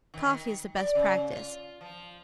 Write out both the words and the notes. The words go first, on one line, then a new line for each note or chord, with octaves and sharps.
Coffee is the best practice.
D#3
D5
C#3
F4
F3